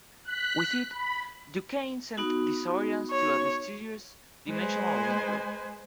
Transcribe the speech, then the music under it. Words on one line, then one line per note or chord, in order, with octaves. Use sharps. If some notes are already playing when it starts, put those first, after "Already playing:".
With it, DuCaine sent the Saurians to a mysterious "Dimensional Limbo".
F#6 B6
B5
B3 D#4 F#4
C#5
G#3 B4 C5 G#5